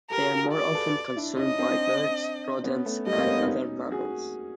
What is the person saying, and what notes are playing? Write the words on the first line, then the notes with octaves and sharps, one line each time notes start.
They are more often consumed by birds, rodents and other mammals.
G4 A4 A#4
F#4 G#4
F4 G4
F#4 G#4
D5
A4 B4
D4 E4
C#4 D#4 D#5
C4 D4
B3 C#4
A3 B3
G3 A3 D#5
A#3 C4
B3 C#4
C#4 D#4
F#4 G#4